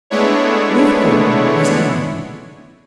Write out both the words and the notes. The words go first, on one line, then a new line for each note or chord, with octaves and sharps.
With Gordon was Enid.
G#3 A3 B3 D4 E4 C#5